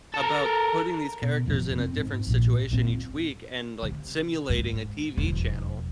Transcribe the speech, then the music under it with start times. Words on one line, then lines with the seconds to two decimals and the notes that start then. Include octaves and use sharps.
about putting these characters in a different situation each week and, like, simulating a TV channel
0.14 A4 A#4
1.22 B2
1.46 E1 F2 A2 C3
1.79 C4
1.97 G#2
2.27 A#1 A#2
2.71 D1 G#1 A#2 C4
3.83 C3
4.50 G#2
5.17 E1 F2